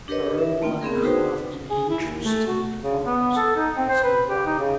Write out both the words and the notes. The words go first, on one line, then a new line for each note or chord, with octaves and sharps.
"A rouble and a half, and interest in advance, if you like!"
D4 G4 A#4 B4 C#5 D#5
E5
A3 A#3 C4 F4 G5
B3 C4 G#4 A#4
D#4 F#4 G#4 B4 C5 G5
G#4
E4
D#2
A3
F#4
C#3
B3
A4
D#4
C4
C5
B4
G4
D#4
C#3